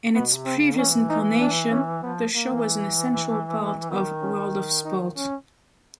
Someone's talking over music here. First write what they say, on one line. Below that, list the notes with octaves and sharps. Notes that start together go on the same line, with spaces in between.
In its previous incarnation, the show was an essential part of "World of Sport".
B2 B3
C3
C4
C#3
E3 C#4
D#4
D4
C#4
F3 B3
A#3
E3
A3
A3
D#3 B3
C#4
D#4
C#4